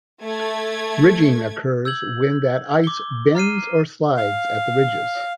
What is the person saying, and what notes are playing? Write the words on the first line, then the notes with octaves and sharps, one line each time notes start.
Ridging occurs when that ice bends or slides at the ridges.
A3 G#6
E6 G6 G#6 F#7
D6 G7
A#5 F6 C7 D#7
F5